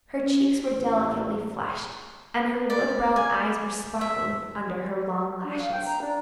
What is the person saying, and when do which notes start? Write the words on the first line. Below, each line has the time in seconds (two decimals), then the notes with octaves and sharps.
Her cheeks were delicately flushed, and her wood-brown eyes were sparkling under her long lashes.
0.22 C#4
0.72 A1
2.70 D5
3.16 G#5
4.01 E5
5.44 D4
5.58 F5
5.72 G5
5.85 A#5
6.02 D4